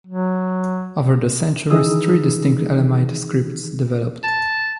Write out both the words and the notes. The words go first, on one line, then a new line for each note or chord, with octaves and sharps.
Over the centuries, three distinct Elamite scripts developed.
F#3
D#3 E3 D#4 G#4 D#6 E6
A5